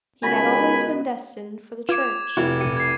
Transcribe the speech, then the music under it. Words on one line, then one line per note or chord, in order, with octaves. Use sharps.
He had always been destined for the church.
C#2 D#3 B3 F#4 D#5 G#5 B5
F4 B4 D6 G#6 E7
F1 E4 F#4
B1 G4 C#7 D#7
G#6 C7